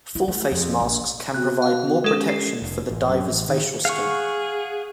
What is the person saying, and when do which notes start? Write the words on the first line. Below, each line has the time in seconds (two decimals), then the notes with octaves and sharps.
Full-face masks can provide more protection for the divers' facial skin.
0.15 E4
0.28 A3
0.51 F2
0.80 A#1
1.34 B3 F#4 G5 F#6
1.62 F5
2.04 G#3 C#4 G4 A4
2.29 C7
2.62 F1
2.90 A1
3.09 F#2
3.30 A1
3.49 D#3
3.85 G#4 F5 F#5 C#6